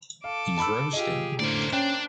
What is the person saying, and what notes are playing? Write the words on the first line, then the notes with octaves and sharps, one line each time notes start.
He’s roasting.
A4 F5 D6
A5 B5 E6
F4 G4 G#4 D#5
A2 D3 A#3 C#4 C5 D5
C#4 D4 G5